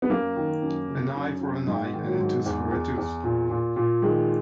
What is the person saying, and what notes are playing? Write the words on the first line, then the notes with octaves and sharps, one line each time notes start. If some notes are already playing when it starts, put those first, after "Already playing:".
An eye for an eye and a tooth for a tooth.
B3
F#2 A#3
D#3
F#2
C#3
F#2
F#2
G#2
D#3
F#3
G#2
E2
E2
E2
A#2
A#2
A#2
D#3 G#3